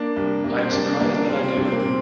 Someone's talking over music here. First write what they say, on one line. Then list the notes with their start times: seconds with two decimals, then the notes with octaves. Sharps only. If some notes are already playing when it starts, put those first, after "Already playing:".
I am surprised that I do.
Already playing: A#3 D4
0.16 C2
0.44 C2 A#3
0.59 C4
0.72 C2 A#3 D4
0.86 A#3 D4
1.00 C2 A#3 D4
1.14 A#3 D4
1.29 G3 C4
1.43 C4
1.56 C2 D4
1.65 C4
1.72 A#3
1.80 A#2 C4